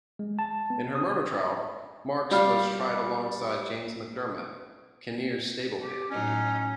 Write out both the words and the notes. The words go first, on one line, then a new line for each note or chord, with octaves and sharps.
In her murder trial, Marks was tried alongside James McDermott, Kinnear's stable hand.
G#3
A5
B3
D#6
G3 F5
G4
A2 F#3 C#4 D#4